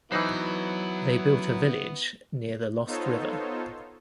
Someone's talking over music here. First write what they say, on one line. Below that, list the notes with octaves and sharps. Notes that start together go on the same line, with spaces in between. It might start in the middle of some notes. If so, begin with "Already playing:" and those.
They built a village near the Lost River.
E3 F#3 B3 D#4 E4 C5
B3 D#4 F4 A4 C5 C#5